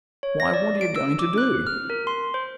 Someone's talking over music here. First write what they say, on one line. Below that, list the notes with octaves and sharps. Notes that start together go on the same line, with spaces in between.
"Why, what are you going to do?"
C#5
A#6
D5
D7
E6
D6
F#6
F6
A#4
C6
C5